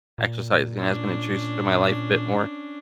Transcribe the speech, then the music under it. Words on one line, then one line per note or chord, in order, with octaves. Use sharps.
Exercising has been introduced to my life a bit more
A#2
C#4 D4